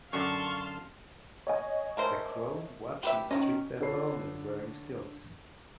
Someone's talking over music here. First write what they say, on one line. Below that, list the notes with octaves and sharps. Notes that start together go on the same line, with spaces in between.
A crowd watching street performers wearing stilts.
F#2 D3 F5 A5 C6 C#6
C#5 D#5 G#5
A3 A#4 C5
G4 B4 E5
D#3 A#3 C#4 D#5
D3 F4 A4 C#5 B5 C7